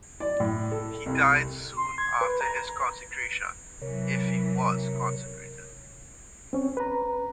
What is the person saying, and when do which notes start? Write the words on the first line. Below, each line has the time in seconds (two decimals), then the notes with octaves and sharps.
He died soon after his consecration, if he was consecrated.
0.20 D5
0.40 A2
0.71 A4
1.06 C2
1.76 C6
1.98 G#6
2.21 B4
2.41 A#5
3.82 C3 E3 F#3 A#4 C#5
6.53 C4 C#4 C#5
6.77 B4 A#5